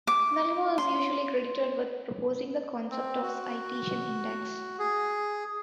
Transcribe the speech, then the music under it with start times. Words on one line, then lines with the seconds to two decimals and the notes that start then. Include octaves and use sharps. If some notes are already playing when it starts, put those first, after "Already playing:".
Nalimov is usually credited with proposing the concept of citation index.
0.07 D6
0.78 C6
2.91 C4
3.23 F#4
4.79 G#4